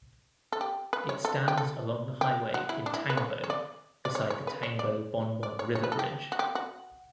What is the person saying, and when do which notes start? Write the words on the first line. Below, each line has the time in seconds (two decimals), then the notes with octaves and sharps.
It stands along the highway in Tangbo beside the Tangbo-Bonbon River Bridge.
0.52 A4
0.61 G4
0.93 B4
1.09 C#5
1.25 A4
1.48 G4
1.57 A4
2.21 G4
2.54 F#4
2.69 E4
2.86 D4
2.94 E4
3.10 B4
3.17 C#5
3.44 C#5
3.50 D5
4.05 D5
4.15 C#5
4.30 C#5
4.47 B4
4.63 C#5
4.79 D5
5.43 D5
5.59 C#5
5.75 C#5
5.84 B4
5.92 A4
5.99 G4
6.32 F#4
6.39 G4
6.55 F#4